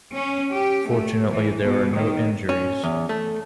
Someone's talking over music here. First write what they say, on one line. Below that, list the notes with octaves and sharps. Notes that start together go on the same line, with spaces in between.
Fortunately, there were no injuries.
C#4
G4
A3
E3
B2
D#3
C#4
E2
A3